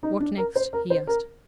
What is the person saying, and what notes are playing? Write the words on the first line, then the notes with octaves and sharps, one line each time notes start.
"What next?" he asked.
D#4
D4
A#4
C5
A#4
C5
A#4